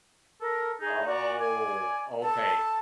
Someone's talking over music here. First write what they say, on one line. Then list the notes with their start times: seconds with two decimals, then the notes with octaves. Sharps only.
Oh, okay.
0.41 A4 A#4
0.81 D#4 G#4
1.07 F#4 D5
1.39 D5 G#5
2.22 A4 A5